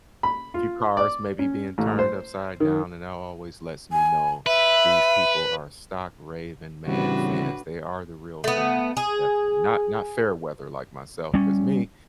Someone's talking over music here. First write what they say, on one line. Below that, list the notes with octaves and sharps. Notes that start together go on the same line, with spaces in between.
few cars maybe being turned upside down, and that always lets me know these people are stock raving mad fans. They are the real fans, definitely, not not fair weather like myself 'cause me,
B5
F4
D5
C#4
A1
C5
D#3
G#5
B4 E5
A2 C#3 E3 G3 C4 D4 F#4 B4
A3 B3
G#4
G3 C#4